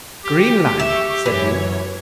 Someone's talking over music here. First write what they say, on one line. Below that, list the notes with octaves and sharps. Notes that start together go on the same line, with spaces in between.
"Greenland!" said he.
G4 G5
E5 C#6
F#2 E3 C#5 G#6